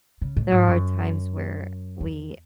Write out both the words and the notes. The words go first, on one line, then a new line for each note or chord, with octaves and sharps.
there are times where we
C#3
A2
G#2
F#2
E2